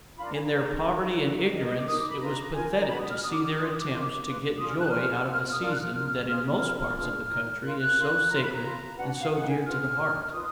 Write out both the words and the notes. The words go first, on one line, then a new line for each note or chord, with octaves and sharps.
In their poverty and ignorance it was pathetic to see their attempts to get joy out of the season that in most parts of the country is so sacred and so dear to the heart.
D4 F4 A#4 B5
A#5
G#5
A#5
D4 G#4 B4
D#4 A#4
D#4 G#4 B4
D#4 A#4 D#5
D#5
D6
D#4 A#4 D#6
D6
B5
F4 B4 A#5
F4 A#4 G#5
G#5
A#5
D4 F#4 B4 B5
D#6
F6
D4 F#4 A#4 D#6
D6
D#6
D4 F4 A#4 D#6
D#6
D6
F4 A#4 D6
F4 B4
D4 F4 G#4 D#6
F6
F#6
F4 G#4 B4 F6
F4 A#4
D#6
D4 F4 A#4 F6
F#6
F6
F4 A#4
F4 G#4 B4 F6
F4 A#4 F6
F6
D4 F4 G#4 B4
D#4 A#4
F4 A#4 F#6
F#6
F4 A#4
F4 A#4 A#5
B5
A#5
F4 B4
D4 F#4 B4 F#5
F#5
F5
D#4 G#4 B4 F#5
G#5
F4 B4 F6
D#4 A#4
F4 B4 D#6